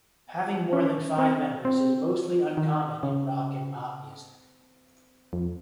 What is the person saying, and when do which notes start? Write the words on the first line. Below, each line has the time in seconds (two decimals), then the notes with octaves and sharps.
Having more than five members is mostly uncommon in rock and pop music.
0.73 C#4
1.18 C4
1.65 C4
2.57 D#3
3.03 C#3
5.33 F2